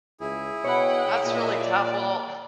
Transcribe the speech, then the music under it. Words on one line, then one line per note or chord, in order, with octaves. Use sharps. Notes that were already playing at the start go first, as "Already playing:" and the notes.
that's really tough. Well,
C#2 E4 G#4
B2 C#5 F#5 G5 B5
A#2 D#5 E5
D5